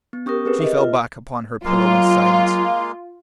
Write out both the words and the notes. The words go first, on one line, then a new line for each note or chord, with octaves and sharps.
She fell back upon her pillow in silence.
B3
C#4 G4 A#4 C#6 D#6
C4 G#4 B4
D#5 E5
F4
F#3 G#3 A#3 F4 F5